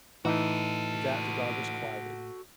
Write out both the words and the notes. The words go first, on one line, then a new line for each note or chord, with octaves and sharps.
With that the dog was quieted.
A2 E3 D#4 F#4 A4